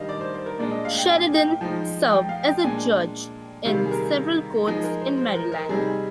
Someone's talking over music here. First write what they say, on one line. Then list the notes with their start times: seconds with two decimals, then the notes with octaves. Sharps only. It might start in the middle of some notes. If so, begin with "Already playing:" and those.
Sheredine served as a judge in several courts in Maryland.
Already playing: D#3 G3 D4 D#5 F5
0.09 D5
0.21 C5
0.34 C5
0.46 A#4
0.59 A#2 G#3 D4 D5
0.71 D#5
0.85 F5
0.98 G5
1.10 G#5
1.35 G5
1.61 F3 G#3 D#4
2.12 G5
2.29 F5
2.47 G5
2.64 A#2 G#3 D4 G#5
3.65 C3 D#3 G3 F5
3.86 G#4
3.91 A#4
4.67 F3 G#3 D#4 G#4
4.84 A#4
5.01 C5
5.18 C5
5.35 A#4
5.52 A#4
5.69 C3 G3 C4 D#4 G#4